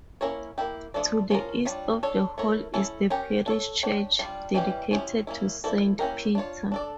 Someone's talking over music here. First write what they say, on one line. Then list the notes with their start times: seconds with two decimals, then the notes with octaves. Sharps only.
To the east of the Hall is the parish church, dedicated to Saint Peter.
0.21 A#3 C#4 E4 A#4 C#5
0.58 A#3 E4 G4
0.94 F3 A3 D4 A4 D5
1.30 F3 C#4 F4 A#4
1.65 G3 D4 F4 C#5
2.03 D4 A4 C#5
2.38 A3 E4 A#4 C#5
2.74 C#4 E4 A4 C#5
3.10 C#4 G4 A#4 C#5
3.46 D4 A4 C#5
3.83 D4 G4 C#5
4.19 G3 D4 F4
4.54 E3 G3 C#4 E4 G4
4.91 F3 C#4 E4 G4
5.27 A#3 C#4 E4
5.64 F3 A#3 E4 A4 D5
5.99 A#3 C#4 E4 G4 A#4
6.35 D4 F4 C#5
6.72 D4 A4 D5